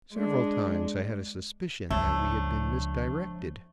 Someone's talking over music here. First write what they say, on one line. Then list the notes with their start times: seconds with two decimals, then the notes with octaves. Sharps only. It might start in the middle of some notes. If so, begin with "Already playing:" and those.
Several times I had a suspicion that we had been misdirected.
0.14 G#3 D4
1.91 C#2 F3 A3 D4 C#5